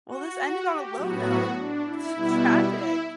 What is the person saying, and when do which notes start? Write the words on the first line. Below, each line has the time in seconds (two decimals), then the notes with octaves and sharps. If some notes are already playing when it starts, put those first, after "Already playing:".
Well, this ended on a low note. This is tragic.
0.08 F#4
0.37 F#4
0.67 G4
0.96 A2 F#3 B3 F#4
1.56 D4
1.85 E4
2.15 B2 G3 B3
2.73 E4